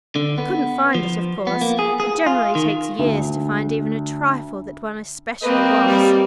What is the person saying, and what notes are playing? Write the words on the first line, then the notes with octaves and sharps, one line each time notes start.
I couldn't find it, of course,--it generally takes years to find even a trifle that one especially wants.
D3
B3
F3
B3
A#3
G#4
G#4
F4
D#3
D2
A#3 C4 B4 D#5
G3